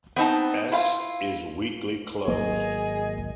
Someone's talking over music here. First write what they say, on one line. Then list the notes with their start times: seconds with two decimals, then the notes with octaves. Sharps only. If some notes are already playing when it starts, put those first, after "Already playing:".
"S"' is "weakly closed".
0.16 B3 C4 D#4 A5
0.72 E4 F4 F5
2.28 G#1 F#3 A#3 G#4 D#5